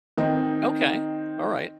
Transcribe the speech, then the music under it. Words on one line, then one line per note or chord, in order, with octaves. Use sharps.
Okay. Alright.
D#3 C4 D#4